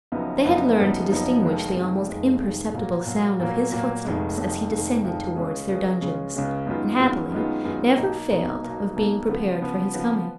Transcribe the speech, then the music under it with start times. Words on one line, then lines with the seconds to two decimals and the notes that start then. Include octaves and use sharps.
They had learned to distinguish the almost imperceptible sound of his footsteps as he descended towards their dungeons, and happily, never failed of being prepared for his coming.
0.12 F#1 F#2 F3 B3 D#4
0.45 F#1 F#2 F3 B3 D#4
0.78 F#1 F#2 F3 B3 D#4
1.10 F#1 F#2 F3 B3 D#4
1.43 F1 F2 D#3 G#3
1.76 F1 F2 D#3 G#3
2.08 F1 F2 D#3 G#3
2.41 F1 F2 D#3 G#3
2.74 A#2 F#3 A#3
3.07 A#2 F#3 A#3
3.39 A#2 F#3 A#3
3.72 A#2 F#3 A#3
4.05 F1 F2 D#3 G#3
4.37 F1 F2 D#3 G#3
4.70 F1 F2 D#3 G#3
5.03 F1 F2 D#3 G#3
5.36 C#2 C#3 G#3 C#4 G#4
5.68 C#2 C#3 G#3 C#4 G#4
6.01 C#2 C#3 G#3 C#4 G#4
6.34 C#2 C#3 G#3 C#4 G#4
6.67 F#2 D#3 G#3 B3 F4
6.99 F#2 D#3 G#3 B3 F4
7.32 F#2 D#3 G#3 B3 F4
7.65 F#2 D#3 G#3 B3 F4
7.98 B1 B2 A#3 D#4
8.31 B1 B2 A#3 D#4
8.63 B1 B2 A#3 D#4
8.96 B1 B2 A#3 D#4
9.29 C#3 F3 B3
9.62 C#3 F3 B3
9.94 C#3 F3 B3